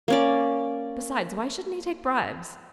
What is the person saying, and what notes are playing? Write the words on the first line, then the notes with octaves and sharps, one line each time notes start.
Besides, why shouldn't he take bribes?
A#3 C#4 D5